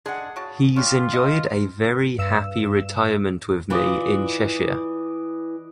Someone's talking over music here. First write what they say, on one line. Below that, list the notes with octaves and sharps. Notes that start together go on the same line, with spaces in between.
He's enjoyed a very happy retirement with me in Cheshire.
G#3 D4 G#4 F#5
C#3 F#4 A5
C#4 D4 F4 G4
D#5
G2 E6 E7
E3 F4 B4 D5 D#5